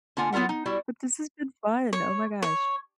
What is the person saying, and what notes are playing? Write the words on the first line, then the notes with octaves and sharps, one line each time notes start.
Eh, but this has been fun, oh my gosh.
D3 A#3 F4 F#5 G#5
B3 E4 F4 A#4 F#5
D#4
G3 E4 F#4
C#5
C#5